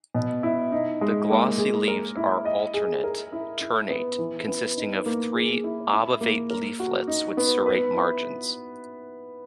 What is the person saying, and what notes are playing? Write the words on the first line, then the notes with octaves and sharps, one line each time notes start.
The glossy leaves are alternate, ternate, consisting of three obovate leaflets with serrate margins.
B2
E4
D#4
G#3
A#3
G#4
A#4
E4
D#5
G#4
A#4
E4
E4
B3
E3
B3
D#4
A#3
G#4
E4
E4
A#3
A#4
F#4
D#4
B3
B4
E4